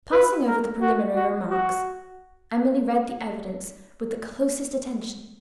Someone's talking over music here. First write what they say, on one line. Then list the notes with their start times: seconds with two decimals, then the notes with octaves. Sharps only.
Passing over the preliminary remarks, Emily read the evidence with the closest attention.
0.12 B4
0.47 A#4
0.81 F#4
1.16 F#4
1.50 F#4